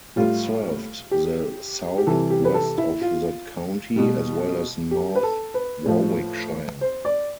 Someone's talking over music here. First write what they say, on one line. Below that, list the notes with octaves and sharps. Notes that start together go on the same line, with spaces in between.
It served the south-west of that county, as well as North Warwickshire.
A2 G3 F4
G4
G4
C3 E3 G3 A4
G4
B4
A4
E4
F4
B2 G3
G4
B4
A4
B4
A2 F3
C5
D5